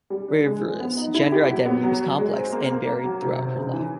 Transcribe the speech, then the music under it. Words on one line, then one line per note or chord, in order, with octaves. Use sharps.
Rivera's gender identity was complex and varied throughout her life.
G3
D4
G#3
F3
B3
D#4
E4
G4
F#3
B3
F#3
F#3
G#3
C4
A#3
A#3
A#3
F#3
C3
C3
C#3
E3